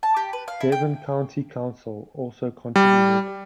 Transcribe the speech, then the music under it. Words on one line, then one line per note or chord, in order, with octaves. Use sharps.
Devon County Council also contributed.
A5
G4
B4
F5
E4
G5
G3